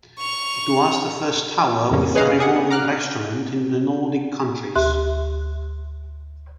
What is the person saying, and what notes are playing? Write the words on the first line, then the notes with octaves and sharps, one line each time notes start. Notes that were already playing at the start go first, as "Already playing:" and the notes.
It was the first tower with a revolving restaurant in the Nordic countries.
C#6 F7
F2 A2 C#3 A#3 C#4
G#4 B4 C#5 D#5 F5 F#5
G4 G#4 F#5
B3
A#5 D6 F6 F#6
D2 G4 E5 C6 F#6